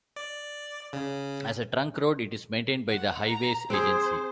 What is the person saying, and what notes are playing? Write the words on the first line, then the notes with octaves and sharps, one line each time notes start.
As a trunk road it is maintained by the Highways Agency.
D5
C#3
F#5
A#5
C4 G#4 C5